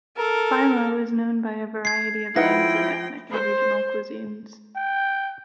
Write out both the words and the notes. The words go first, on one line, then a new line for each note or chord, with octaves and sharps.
Filo is known by a variety of names in ethnic and regional cuisines.
A4 A#4
G#6 C7
F3 D#4 E4 B4 F#5 G5 A#6
C5
G5